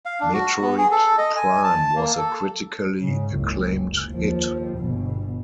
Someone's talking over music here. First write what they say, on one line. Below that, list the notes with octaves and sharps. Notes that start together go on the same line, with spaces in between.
"Metroid Prime" was a critically acclaimed hit.
F5
D4
F#4
B3
G#4
A4
D#5
G#5
A5
A#3
A4
G#2 C#3
F#1 C#2
D#2 F3
G1 B2